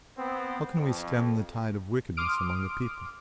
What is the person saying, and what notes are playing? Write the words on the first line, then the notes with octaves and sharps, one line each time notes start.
How can we stem the tide of wickedness among the people?
B3 C4
F2
C6 D6 D#6 F6 D7